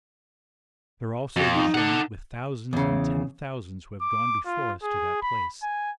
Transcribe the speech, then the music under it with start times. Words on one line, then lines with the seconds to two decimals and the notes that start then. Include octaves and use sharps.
There also you shall meet with thousands and ten thousands who have gone before us to that place.
1.36 F2 F#4
1.54 D#4
1.74 A4 F#5
2.73 E2 C#3
4.02 D6
4.46 F4
4.83 G#4
5.22 B5
5.63 G#5